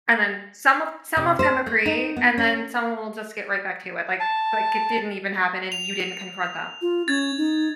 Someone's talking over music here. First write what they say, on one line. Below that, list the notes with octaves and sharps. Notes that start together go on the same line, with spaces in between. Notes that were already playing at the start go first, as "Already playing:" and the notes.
And then some of some of them agree, and then someone will just get right back to it, like like it didn't even happen and you didn't confront them.
C3
C5
A3
D#4
B3
C#4
A5
F7
F4
C#4 G#6 A6
D#4